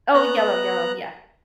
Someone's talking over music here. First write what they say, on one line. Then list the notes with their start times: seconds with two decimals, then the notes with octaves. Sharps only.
Oh, yellow, yellow, yes.
0.14 B3 A#5 F#6